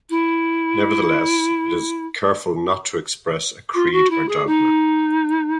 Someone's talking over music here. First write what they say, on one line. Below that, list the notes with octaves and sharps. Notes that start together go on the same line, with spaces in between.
Nevertheless, it is careful not to express a creed or dogma.
E4
F4
F#4
E4
G#4
D#4